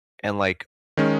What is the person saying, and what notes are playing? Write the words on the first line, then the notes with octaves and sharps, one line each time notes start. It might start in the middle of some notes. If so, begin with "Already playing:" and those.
and, like,
D#3 G#3 C#4